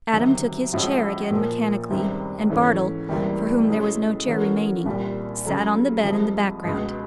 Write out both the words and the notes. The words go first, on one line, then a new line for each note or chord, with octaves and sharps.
Adam took his chair again mechanically, and Bartle, for whom there was no chair remaining, sat on the bed in the background.
D2 C3 D#3 F#3
A2 F3 G#3 C#4 F#4
A#2 F3 A#3
C#2 C3 D#3 G3
G#2 E3 A3 C#4
C#2 C3 E3 G3 A#3
B2 G#3 C#4 E4 A4
E3 A3 C#4 F#4 A#4
C2 A#2 G3
C#3 F#3 A3
C2 C3 F3 G#3
C#2 B2 G#3